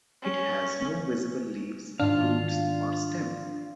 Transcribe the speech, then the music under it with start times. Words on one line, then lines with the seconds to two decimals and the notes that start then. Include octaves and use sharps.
It has no visible leaves, roots, or stem.
0.22 C#4
2.00 G#2 D#3 D4 F4 F5